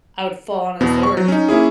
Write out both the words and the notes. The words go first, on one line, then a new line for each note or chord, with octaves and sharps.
I would fall on a sword f
E2 B2 B3
C#6
F#3
C#4 D#4
A#3 C#4 E4 G#4